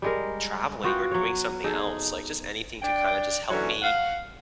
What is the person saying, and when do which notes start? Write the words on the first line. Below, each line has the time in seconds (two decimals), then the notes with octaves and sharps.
traveling or doing something else. Like, just anything to kinda just help me
0.02 G3 G#3 A#4
0.84 B3 F4 F#4 G5
1.11 F#3 C#5
1.64 D#4 G#4 A4
2.82 D4 D5 G5
3.50 D3 E3 F#3 C#4
3.82 F5 F#5